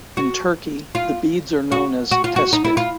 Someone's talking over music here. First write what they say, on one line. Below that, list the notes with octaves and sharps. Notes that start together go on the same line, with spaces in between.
In Turkey, the beads are known as "tespih".
F#4
F4
F#4
F#4
F4
F#4
D#4
E4
F4